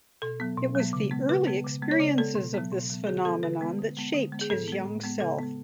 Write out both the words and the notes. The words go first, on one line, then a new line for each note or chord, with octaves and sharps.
It was the early experiences of this phenomenon that shaped his young self.
B2 A4
F#3 B3
B2
F#3 B3
C#3
G#3 B3
C#3 B4
G#3 B3
C#3
G#3 B3
C#5
C#3 D5
G#3 B3 A4
B2
F#3 B3
B2
F#3 B3
D3 G#4
G#3 B3 A4
D3 B4
G#3 B3
D3
G#3 B3
D3
G#3 B3
G#4
A2 A4
G#3 B3
A2
G#3 B3
C#3 A4
G#3 B3